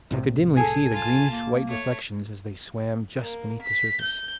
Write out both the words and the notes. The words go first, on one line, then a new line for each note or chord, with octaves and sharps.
I could dimly see their greenish-white reflections as they swam just beneath the surface.
C2 A2 C3
G#4 A4 G#5
F4 A5
A#3
A3 C#5
A#3
B6
G6